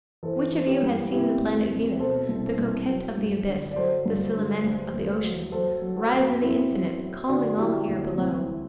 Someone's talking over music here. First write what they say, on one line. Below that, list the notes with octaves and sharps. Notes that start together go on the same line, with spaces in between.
Which of you has seen the planet Venus, the coquette of the abyss, the Celimene of the ocean, rise in the infinite, calming all here below?
E3 A4 C5
E3 C5
G4 B4
G2
C3 E4 G4
D2
C3
B2 A4 C5
C2
C2
F#3
G2
D3
D5
F#3 A4 C5
G2
D3
D2
D2
F#3
F#3 A4 C5
F#3
F#4 A4
F#2
F#2 C4 E4
F#3
F#3
D3 D4 F#4
F#3 E4 G4
D2
C2 C4 E4